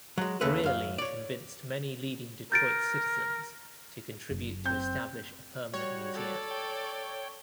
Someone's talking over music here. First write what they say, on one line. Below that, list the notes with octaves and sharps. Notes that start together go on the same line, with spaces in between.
Brearly convinced many leading Detroit citizens to contribute to establish a permanent museum.
F#3 G#3
D#2 C#3 A3 B4
F#2 F5
C#5 D5
A#4 G6 A6 D7
F#1
C4 G6
G3 F#4 C#5
A4 D5
G5